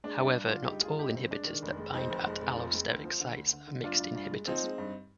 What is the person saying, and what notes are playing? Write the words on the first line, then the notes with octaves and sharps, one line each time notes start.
However, not all inhibitors that bind at allosteric sites are mixed inhibitors.
G#3 D4
G2 D4
G2
D3 D4 F4
G#4
G2 D#4 G4
G2 F4 G#4
G2 D#4 G4
G2 C4
G#3 D4
D#3
F1
G#3
F2 C4 D#4
F1
G#3
F1
F3
G#3
D2
F3
D3
D2
D3
D3
G2 D4 F4
G2
G2
G#3
F3 C4 D#4
G#3
G2